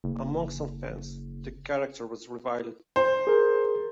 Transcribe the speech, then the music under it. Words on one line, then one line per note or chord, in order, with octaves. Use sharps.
Among some fans, the character was reviled.
F#1
C5
G#4 A#4